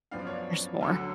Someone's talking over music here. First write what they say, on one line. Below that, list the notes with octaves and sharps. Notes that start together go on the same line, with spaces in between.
There's more.
F#2 F3 B3 D4 F5
D5
C#5
D5
D2 D3 F#3